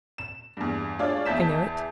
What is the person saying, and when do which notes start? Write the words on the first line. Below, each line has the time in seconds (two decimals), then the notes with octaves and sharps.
"I know it."
0.18 E7
0.57 E2 G2
0.99 G#3 D4 F4 C#5 D5 F5
1.25 E2 E4 A5 G6 B6 E7